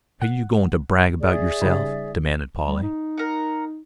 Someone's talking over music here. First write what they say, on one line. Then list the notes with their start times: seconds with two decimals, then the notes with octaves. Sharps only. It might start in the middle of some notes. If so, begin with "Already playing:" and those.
"Are you going to brag about yourself?" demanded Polly.
0.22 F#5
1.21 G#4 D5 E5
1.62 C#3 G3 D#4
2.65 G3
2.83 D#4
3.18 A#4 F#5